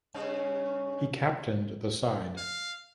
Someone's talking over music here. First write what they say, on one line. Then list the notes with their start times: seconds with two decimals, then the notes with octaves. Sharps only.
He captained the side.
0.14 G2 C#3 C#4
2.37 F5